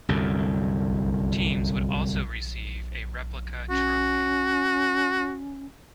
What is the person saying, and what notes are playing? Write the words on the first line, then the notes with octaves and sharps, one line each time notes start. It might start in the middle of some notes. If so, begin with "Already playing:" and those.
Teams would also receive a replica trophy.
C2 F#2 D3
C#4 F#4